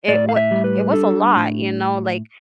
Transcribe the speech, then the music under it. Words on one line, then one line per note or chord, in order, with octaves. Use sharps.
it wa it was a lot, you know, like,
A2 D5
F5
E5
G3
B4
D4 A4
A2